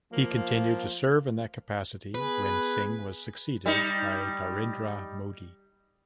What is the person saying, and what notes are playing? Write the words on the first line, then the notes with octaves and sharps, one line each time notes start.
He continued to serve in that capacity when Singh was succeeded by Narendra Modi.
F3 A#3
B3 G#4 B4
G3 D#4